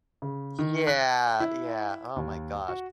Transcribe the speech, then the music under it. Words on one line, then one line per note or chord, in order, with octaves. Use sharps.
Yeah, yeah, oh my gosh.
C#3
D#3
F#6
E4
D#2
F#4